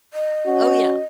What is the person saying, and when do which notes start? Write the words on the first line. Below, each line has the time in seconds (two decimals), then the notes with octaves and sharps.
Oh, yeah.
0.14 D#5
0.46 C#4 F#4